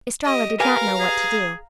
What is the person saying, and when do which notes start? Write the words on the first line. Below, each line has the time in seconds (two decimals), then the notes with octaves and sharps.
Estralla did not know what to do.
0.24 G4 D#5
0.60 G4 A#4 B4 F5 G#5 A#5
1.00 G#4